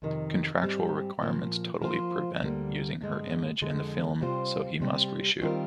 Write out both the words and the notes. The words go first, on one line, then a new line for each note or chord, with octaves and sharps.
Contractual requirements totally prevent using her image in the film, so he must re-shoot.
F2 C3 D#3
G#2 G3 C4 G4
A#2 F3 A#3
F3 A#3 F4 C5
D2 D3 G3 A#3
G2 D3 G#3
F2 D3 G#3
C3 G3 C4 F4 C5
C3 G3 C4 G4
D#3 G3 C4 F4 A#4